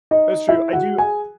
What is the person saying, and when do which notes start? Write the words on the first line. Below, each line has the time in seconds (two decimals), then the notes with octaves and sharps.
That's true. I do
0.11 D#4 D#5
0.49 E4 E5
0.73 F#4 F#5
0.98 G#4 G#5